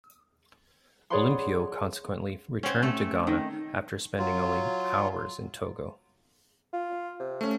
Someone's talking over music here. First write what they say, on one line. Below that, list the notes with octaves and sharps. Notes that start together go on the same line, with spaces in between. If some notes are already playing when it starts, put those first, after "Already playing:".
Olympio consequently returned to Ghana after spending only hours in Togo.
G#4 C#5 D5 F#5 B5 C6
C4 C#4
A3 A4
D#3
F#3 F4
F4
C3
A3 C#4